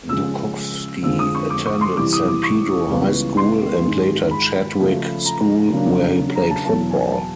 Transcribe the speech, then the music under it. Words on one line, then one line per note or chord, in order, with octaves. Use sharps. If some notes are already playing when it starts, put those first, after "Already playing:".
Dukowski attended San Pedro High School and later Chadwick School, where he played football.
C#3 F3 G#3 C#4 E6
F2 D3 F3 G#3 C4 E6
D#6
C#6
D6
C#6
C6
C3 E3 G3 D6
D#6
D6
C#6
C#2 C#3 E3 G3 B3
C6
G#2 D#3 G#3
B5
C#3 F3 A3
A#5
C#3 F#3 A#3 D4
A#5
A5
E2 B2 F#3 A5
G#5
A5